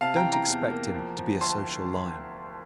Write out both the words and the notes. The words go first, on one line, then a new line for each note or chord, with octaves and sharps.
Don't expect him to be a social lion.
C3 F5 A5
G5 A#5
E3
G5 A#5
E2
A#3
F3
F3
D2 A5 C6